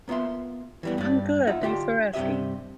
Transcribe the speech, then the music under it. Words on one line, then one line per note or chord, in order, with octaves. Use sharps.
I'm good, thanks for asking.
A#3 B3 F4 E5 C6
E3 G3 B3
G2 D5
D#4 F4 E5 F#5
D3 F4 G4
G2 C3 G4 D#5 E5